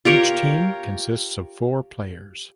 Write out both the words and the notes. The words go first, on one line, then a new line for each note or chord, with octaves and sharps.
Each team consisted of four players.
F4 G4 A#4 C#5